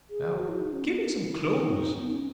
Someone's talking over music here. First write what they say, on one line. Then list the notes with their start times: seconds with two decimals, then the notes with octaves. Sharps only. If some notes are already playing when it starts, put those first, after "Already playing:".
Now, get me some clothes.
0.10 G#4
0.36 F#4
0.48 E4
0.61 D#4
0.73 C#4
0.85 B3
1.13 D#4
1.27 E4
1.42 D#4
1.98 B3
2.12 C#4